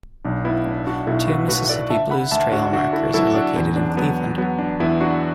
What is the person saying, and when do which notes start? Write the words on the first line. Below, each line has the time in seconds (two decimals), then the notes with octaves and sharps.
Two Mississippi Blues Trail markers are located in Cleveland.
0.24 B1 D4
0.44 B3 E4
0.65 A2 D4
0.87 D4 F#4
1.07 B1 E4 A4
1.28 F#4 B4
1.48 A2 F#4 B4
1.69 A4 D5
1.90 D3 E5 A5
2.10 F#5 B5
2.32 D2 E5 A5
2.52 D4 F#4
2.73 D3 D4 F#4
2.93 E4 A4
3.14 F#3 E4 A4
3.35 D4 F#4
3.56 E2
3.76 D4
3.90 D4
3.97 F#3 B3
4.38 F#3 B3
4.59 D4
4.80 E2 B3 E4
5.00 D4 F#4